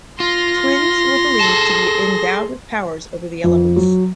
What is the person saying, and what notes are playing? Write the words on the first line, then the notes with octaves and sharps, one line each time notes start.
Twins were believed to be endowed with powers over the elements.
F4 C6 A#6
G#4 A4 A5
F2
F#3